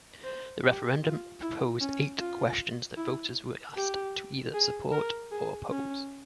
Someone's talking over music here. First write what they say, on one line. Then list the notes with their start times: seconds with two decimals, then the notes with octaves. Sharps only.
The referendum proposed eight questions that voters were asked to either support or oppose.
0.24 C5
0.64 G4
1.03 F4
1.42 E4
1.81 C#4
2.19 F4
2.97 E4
3.76 G4
4.54 G#4
4.93 A#4
5.32 G#4
5.70 C#4